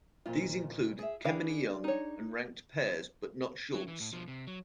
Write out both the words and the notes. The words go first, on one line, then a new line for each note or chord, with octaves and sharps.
These include Kemeny-Young and ranked pairs, but not Schulze.
F2 A#2 F4
G#4 E5
D4 E4 G#4 F5
D#4 C#5
F#3
E3
A2
B2 F3
C3
F#3